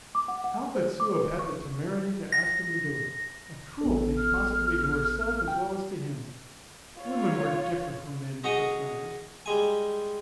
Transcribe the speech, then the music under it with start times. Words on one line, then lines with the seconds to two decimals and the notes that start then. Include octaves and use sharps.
How could Sue have had the temerity to ask him to do it--a cruelty possibly to herself as well as to him? Women were different from men in such matters.
0.15 D6
0.28 F#5
0.44 F#5
0.75 C5
1.00 D6
1.17 B4
1.39 C#6
2.32 A#6
3.81 A1 B3 A4
4.17 F6
5.48 G5
7.00 F4 C#5
8.44 D#4 F#4 G#4 C#5 D#5 D#6
9.46 G3 G#3 G#5